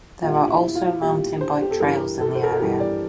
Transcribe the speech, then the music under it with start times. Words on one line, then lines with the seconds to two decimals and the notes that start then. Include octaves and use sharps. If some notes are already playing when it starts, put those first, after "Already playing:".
There are also mountain bike trails in the area.
0.22 A#2 G3 F4
0.48 E4
0.75 F4
1.01 A#2 G3 G4
1.41 C5
1.62 G4
1.71 A4
1.80 G2 E3 G3 A#4
2.21 A4
2.35 C5
2.43 A#4
2.52 A4
2.60 G2 E3 G3 G4
2.80 D5